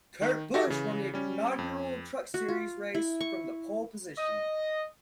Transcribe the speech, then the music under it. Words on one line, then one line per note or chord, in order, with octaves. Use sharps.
Kurt Busch won the inaugural Truck Series race from the pole position.
D#3
F#4 G4 A4 E5 A#6
C#3 E3
G3 C#4
F2
F#4
F4
E4
C#6
D#5